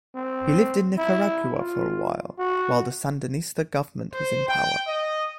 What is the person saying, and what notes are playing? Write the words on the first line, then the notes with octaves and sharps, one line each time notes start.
He lived in Nicaragua for a while, while the Sandinista government was in power.
C4
E4
F4
F#4
C5
G5
D#5